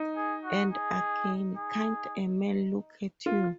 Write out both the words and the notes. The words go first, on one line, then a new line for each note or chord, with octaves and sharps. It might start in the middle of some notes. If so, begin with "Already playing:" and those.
And again, "Can't a man look at you?"
Already playing: D#4
G#4
F#4
G#4
G#4
F4